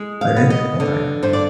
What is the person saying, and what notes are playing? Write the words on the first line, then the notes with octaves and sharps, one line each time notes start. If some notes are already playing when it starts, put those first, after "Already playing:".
but it's still there.
Already playing: G#3
F5
B3
D#5
D3
G2 C5
D5